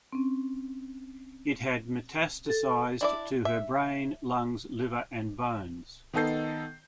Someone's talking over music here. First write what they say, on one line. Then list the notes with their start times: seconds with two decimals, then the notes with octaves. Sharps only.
It had metastasised to her brain, lungs, liver and bones.
0.13 C4 C#4
2.46 A4 A6
3.01 D4 E4 D5
3.45 E5
6.14 D#3 B3 D#4 A4 G6 C7